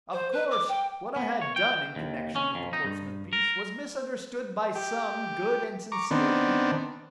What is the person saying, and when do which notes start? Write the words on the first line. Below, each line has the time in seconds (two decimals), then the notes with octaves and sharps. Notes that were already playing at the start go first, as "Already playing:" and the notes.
Of course what I had done in connection with the Portsmouth peace was misunderstood by some good and sincere people.
0.12 C5
0.32 B4
0.51 D6
0.69 G5
1.16 B3
1.41 C#5
1.56 G5
1.96 D#2
2.36 C#4
2.55 F2
2.73 D#4
2.85 G2
3.33 A#4
4.75 G4
5.92 A#5 C#6 D6
6.11 D#3 B3 C4 D4